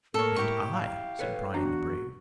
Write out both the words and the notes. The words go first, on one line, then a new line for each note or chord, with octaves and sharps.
"And I," said Brian the Brave.
A2 A#3 A4 A#4 C#5
E4 G4 C#6
F5
A4 B4 C#5
E2 D4 F#4 A#5